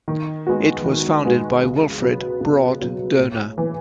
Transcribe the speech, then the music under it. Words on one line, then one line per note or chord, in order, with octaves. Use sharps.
It was founded by Wilfred "Brod" Doner.
D#3
G#3 B3 F#4
D#3
G#3 B3 F#4
C#2
B2 F#3 B3
C#2
B2 F#3 B3
A2
E3 B3